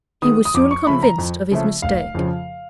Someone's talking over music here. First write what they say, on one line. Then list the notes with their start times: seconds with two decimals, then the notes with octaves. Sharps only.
He was soon convinced of his mistake.
0.22 D#3 G#3 B3 D#6
0.45 D#6
0.54 F2 D6
0.71 C#6
0.86 C#3 F3 A3 B5
1.03 A#5
1.18 F2
1.51 C#3 F3 A3
1.82 F1 F5
2.15 F2 C#3 F3